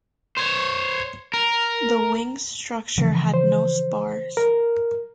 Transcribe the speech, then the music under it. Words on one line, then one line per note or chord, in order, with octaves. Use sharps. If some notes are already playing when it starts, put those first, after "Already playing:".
The wings' structure had no spars.
C5 C#5
A#4
C#3 E3 F3
C5
A#4